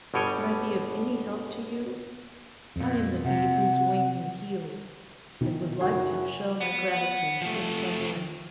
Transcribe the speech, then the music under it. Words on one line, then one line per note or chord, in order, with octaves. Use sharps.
Can I be of any help to you? I am the bee whose wing you healed, and would like to show my gratitude in some way.'
G1 B2 G3 C#5 G5 G#5
F2 A#2
C3 F#5
B2 D#3 E3
F#1 F#4 F#5
F#5 B5
F3 A3